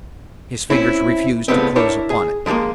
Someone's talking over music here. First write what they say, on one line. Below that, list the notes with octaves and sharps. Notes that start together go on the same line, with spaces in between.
His fingers refused to close upon it.
C4 C#4 E4
A2 C#3 G3 G#3 B3 C4
D4 E4 A#4 C#5 G5
G#4
D3 F3 F#3 G#3 A#3